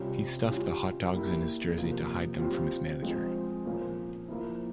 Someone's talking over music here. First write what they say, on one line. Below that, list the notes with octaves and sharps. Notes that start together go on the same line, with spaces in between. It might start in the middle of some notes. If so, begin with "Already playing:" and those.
He stuffed the hot dogs in his jersey to hide them from his manager.
Already playing: C3 G3 C#4 F4
G3 C#4 F4
G3 A#3 E4
C3 F3 A#3
G3 C4 F4
F3 G#3 C4 F4
A#2 F3 A#3 C#4
F3 A#3 E4